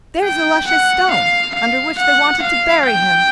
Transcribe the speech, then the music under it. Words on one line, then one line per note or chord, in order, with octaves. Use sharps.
"There's Ilusha's stone, under which they wanted to bury him."
G5
F#5
F5
F5
F#5
F5
G5